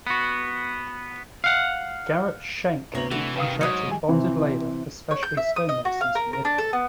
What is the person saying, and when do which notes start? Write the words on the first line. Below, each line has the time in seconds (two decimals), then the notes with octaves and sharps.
Garret Schenck contracted bonded labor, especially stonemasons from Italy.
0.07 B3 F#4
1.44 F5 F#5
2.95 D2 C3 B3 C#5 A#5 F#7
3.11 E3 A3 D4 F#4
3.36 G2 D#3 B4 F5 D#6
3.61 G#2 F#3 C#5 D#5
3.87 D#3 F3 G3 G#3 G#5
4.08 C3 E3 C4
5.11 C#5
5.23 G6
5.37 E5
5.56 D#6
5.69 D#5
5.85 F#4
6.01 F5
6.15 A#4
6.33 A#4
6.45 D4
6.58 A4
6.73 B3